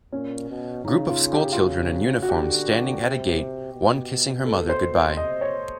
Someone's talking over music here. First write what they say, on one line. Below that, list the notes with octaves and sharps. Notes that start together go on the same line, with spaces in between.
Group of school children in uniforms standing at a gate, one kissing her mother goodbye.
A#2 C#4
B2
C#3 D#4
F4
G4
F4
F#4
F#4
D3 G4
C3
B2
B2 A4
C5
C3 D#5
C#5